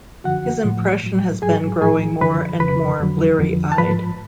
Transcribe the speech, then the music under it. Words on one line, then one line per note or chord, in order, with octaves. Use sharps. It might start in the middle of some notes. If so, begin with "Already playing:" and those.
His impression has been growing more and more bleary-eyed.
F#2 D3 F3 F#4 F#5
A2 F3
A2 F#3
G#2 F#3 G#4 G#5
A2 F3 G#4 G#5
F#2 D3 F3 B4 B5
F2 C#3 F3 B4 B5
F2 D3 F#3
F2 D3 F3
A5
G#2 F3 B4 B5